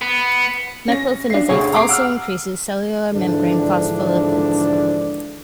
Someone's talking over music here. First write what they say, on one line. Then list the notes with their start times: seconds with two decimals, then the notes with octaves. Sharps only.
Meclofenoxate also increases cellular membrane phospholipids.
0.02 B3
0.88 C#4 A#6
1.30 D4 C7
1.49 D2 C3 G#4 C#5
1.73 A#5 D6 C7 D7
1.89 F#5 E6 F6
3.13 G#2 D3 E3 F3 D4